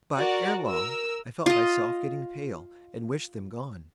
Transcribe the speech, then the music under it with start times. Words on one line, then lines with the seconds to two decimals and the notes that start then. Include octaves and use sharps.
But, ere long, I felt myself getting pale and wished them gone.
0.16 F#4 A#4 D5 F#5
0.65 A#4 E6
1.46 F4 D#5